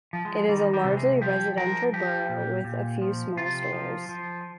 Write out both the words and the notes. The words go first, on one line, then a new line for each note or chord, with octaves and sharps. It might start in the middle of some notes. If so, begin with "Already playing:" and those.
It is a largely residential borough with a few small stores.
F3
G#3
D#3 G3
G3
C3
G#3
F3 G4
F3 A#4
F3 G4
A#2
A#2
F3
C3 F4
F3
F3